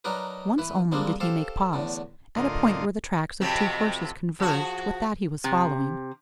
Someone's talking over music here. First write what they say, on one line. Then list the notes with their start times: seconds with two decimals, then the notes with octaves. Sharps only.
Once only did he make pause; at a point where the tracks of two horses converged with that he was following.
0.04 F#3 D4 D#4 A#4 B4
0.58 E3 B4
0.92 F3 G3 G#3 A#3 C4 D4
1.20 G4 A4 C5 F5
1.73 E2 A2 D3
2.37 A2 D3 F4 A#4 D#5 C6
3.41 F2 C3 F#3
4.40 F3 F#4 G#4
5.44 C3